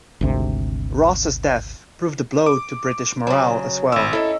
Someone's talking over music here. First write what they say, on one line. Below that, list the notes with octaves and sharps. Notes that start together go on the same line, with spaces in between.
Ross's death proved a blow to British morale as well.
G#1 D2 C3
D6
C#3 F#3
G#1 A#3 E6
C#4 D#4 E4 A4